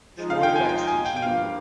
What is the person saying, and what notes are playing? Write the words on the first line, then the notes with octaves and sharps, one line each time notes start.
Troy Baxter Jr.
F3 G#3 D#4
F5
G5
G#5
G5
G#5
G5
G5
G2 F3 A#3 F5